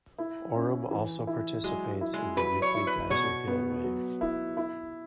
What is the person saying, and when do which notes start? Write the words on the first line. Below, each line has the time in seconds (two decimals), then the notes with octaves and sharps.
Aurum also participates in the weekly Geyser Hill wave.
0.18 E4
0.55 C#4
0.91 E3
1.27 E4
1.64 F#3 G#3
2.01 E4
2.14 G#3
2.37 F#3 B4
2.62 C#5
2.74 E4
2.87 B4
3.10 B2 C#5
3.48 B3
3.84 F#3
4.21 E4
4.57 E4